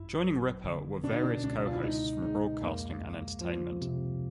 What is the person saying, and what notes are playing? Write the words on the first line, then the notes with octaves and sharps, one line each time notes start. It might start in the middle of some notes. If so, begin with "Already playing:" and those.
Joining Ripa were various co-hosts from broadcasting and entertainment.
Already playing: G#1 F#2 E4
F#3
D3
B2 D4
D#4
D4
C#2 D4
F4
E4
C#2 D#4
G#3 D#4
F2 A#3
G1
F3
C3